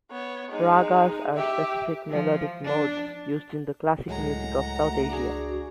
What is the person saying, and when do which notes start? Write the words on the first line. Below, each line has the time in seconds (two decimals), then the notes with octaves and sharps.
Ragas are specific melodic modes used in the classical music of South Asia.
0.12 B3 C#5
0.51 G#3 D#4
1.35 G4 E5
2.10 F3
2.64 D4
4.08 C#2 A2 F#3 G#3 F#5 A#5
4.78 A3
5.09 D4 F#4 G#4